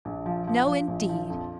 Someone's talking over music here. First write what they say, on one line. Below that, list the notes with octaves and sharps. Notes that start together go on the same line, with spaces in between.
No, indeed!
A#1
F3
F3
F3
A#1
F3
F2